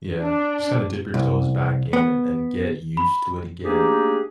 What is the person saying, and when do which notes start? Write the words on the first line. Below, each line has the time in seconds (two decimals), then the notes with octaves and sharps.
Yeah. Just kinda dip your toes back in and-and get used to it again.
0.21 D4
1.14 C2
1.93 B3
2.97 B5
3.63 A3 A#3 D4 D#4 G4 G#4